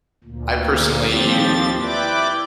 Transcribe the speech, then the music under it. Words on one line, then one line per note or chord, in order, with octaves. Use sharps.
I personally
D2 A#2
D#2 F3 C4 G4 A6
E4 B4 D5 G5 D6